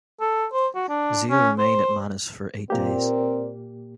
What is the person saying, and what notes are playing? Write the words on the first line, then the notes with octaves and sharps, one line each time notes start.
Zeal remained at Manus for eight days.
A4
C5
F#4
D4
C#4
C5
A#2 A#3 C4 G4 A#4 D5